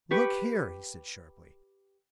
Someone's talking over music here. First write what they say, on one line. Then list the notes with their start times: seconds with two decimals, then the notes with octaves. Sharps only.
"Look here!" he said sharply.
0.11 G4 B4 C#6